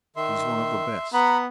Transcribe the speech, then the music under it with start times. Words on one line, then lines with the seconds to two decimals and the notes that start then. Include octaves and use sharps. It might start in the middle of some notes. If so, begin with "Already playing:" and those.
"He's one of the best!"
0.16 D#3 E5 C6
1.13 B3 F#5 A#5 B5